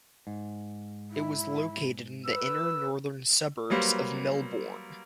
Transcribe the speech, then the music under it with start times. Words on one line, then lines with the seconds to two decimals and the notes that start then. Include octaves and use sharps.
It was located in the inner northern suburbs of Melbourne.
0.27 G#2
1.11 E4
2.26 B4 E6
3.70 F#3 G3 A#3 B4 C5